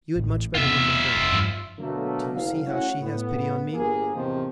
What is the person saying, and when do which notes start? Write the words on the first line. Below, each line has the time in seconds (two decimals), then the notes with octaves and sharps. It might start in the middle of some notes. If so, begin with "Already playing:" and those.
You had much better look at her--do you see how she has pity on me?
0.16 A1 A2
0.55 E1 C3 B3 F4 E5
1.15 F1
1.32 G2 F3
1.78 B2 D3 F#3 A3 A#3
2.34 F#1 F5
2.66 A3 C#4 E4 F#4
3.01 A2 B3
3.72 G1 A#3 G#4
4.14 A1 E2 C3 D#3 F3